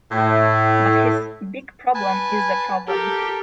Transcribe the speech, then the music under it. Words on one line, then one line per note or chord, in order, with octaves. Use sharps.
But his big problem is the problem.
A2
B4 G#5 A5
G4 A4 A#4